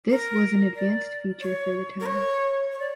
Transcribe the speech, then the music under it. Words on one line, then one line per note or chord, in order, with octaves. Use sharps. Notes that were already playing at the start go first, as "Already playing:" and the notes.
This was an advanced feature for the time.
A#4
D5
C#5
A#4
C#5
C#5
D5